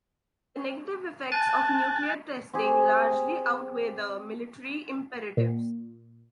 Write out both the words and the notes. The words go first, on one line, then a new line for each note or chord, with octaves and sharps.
The negative effects of nuclear testing largely outweigh the military imperatives.
G#5 A5 F#6 A6
C4 G4 G#4
A#2